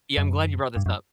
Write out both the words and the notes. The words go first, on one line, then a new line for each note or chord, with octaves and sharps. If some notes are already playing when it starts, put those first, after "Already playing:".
Yeah, I'm glad you brought this up.
F#2
G2
F#2